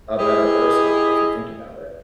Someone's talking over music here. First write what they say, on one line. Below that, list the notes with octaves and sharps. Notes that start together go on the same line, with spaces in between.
a better person, if you think about it.
E4 G4 G#4 D#5